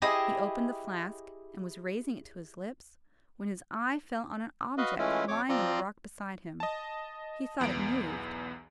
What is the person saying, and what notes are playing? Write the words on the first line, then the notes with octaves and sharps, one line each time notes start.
He opened the flask, and was raising it to his lips, when his eye fell on an object lying on the rock beside him; he thought it moved.
E4 G4 G#4 C5 D#5
F#4 B4 D#5 F5
E3 G#3 A3 C#4 E4 F4
F2 C#5 D6
F3 C4 F4 D5 A#5 C6
D#5 A5
B1 E2 B3 D7